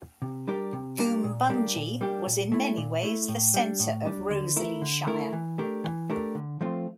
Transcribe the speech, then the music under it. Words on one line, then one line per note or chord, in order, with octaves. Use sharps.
Goombungee was in many ways the centre of Rosalie Shire.
C3
G3 D4 G4 A#4
C3
G3 D4 G4 A#4
A#2
G3 A#3 D4 G4
A#2
G3 A#3 D4 G4
A#2
A3 E4
A#2
A3 E4
A2
G3 D4
A2
G3 D4
D3
A3 E4 A#4
D3
A3 E4 A#4
E3
A3 D4 G4 A#4
E3
A3 D4 G4 A#4
D3
F3 A3 C4 F4